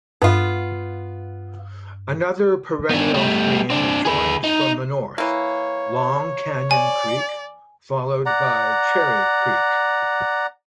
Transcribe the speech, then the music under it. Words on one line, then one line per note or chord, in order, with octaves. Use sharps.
Another perennial stream joins from the north, long Canyon Creek, followed by Cherry Creek.
G2 B3 F4
B3 D4
G3 A3
C4 D4
G#4 B4
D#4
E3 A#3 C#5
D5 G#5
D5 F#5 A#5